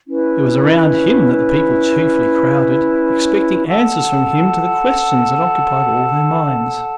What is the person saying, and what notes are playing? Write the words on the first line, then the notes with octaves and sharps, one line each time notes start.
It was around him that the people chiefly crowded, expecting answers from him to the questions that occupied all their minds.
C#4 E4 B4
A4 F#5 A5